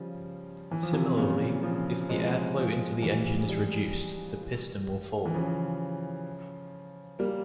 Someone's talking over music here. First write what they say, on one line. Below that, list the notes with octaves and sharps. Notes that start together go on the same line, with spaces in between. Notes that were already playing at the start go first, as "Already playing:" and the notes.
Similarly if the airflow into the engine is reduced, the piston will fall.
Already playing: C#3 F3 G3
E3
F3
C3 E3
A#2 C#3
C#3 F3
F3 G#3
F3 G#3
E3 G3
E3 G3
E3
C#3 F3
G3 A#3